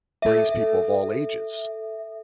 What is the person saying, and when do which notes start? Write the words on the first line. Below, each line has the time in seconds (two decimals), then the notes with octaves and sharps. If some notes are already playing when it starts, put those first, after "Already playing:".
brings people of all ages.
0.22 A4 E5